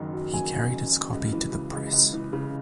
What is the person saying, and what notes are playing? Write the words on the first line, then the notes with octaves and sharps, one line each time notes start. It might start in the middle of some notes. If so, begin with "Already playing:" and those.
He carried his copy to the press.
Already playing: F#1 F#2 D#3
F#3
F#1 G#5
D#3
F#2
F#3
C#2
E3
C#3
C#2
C#2
E3
C#3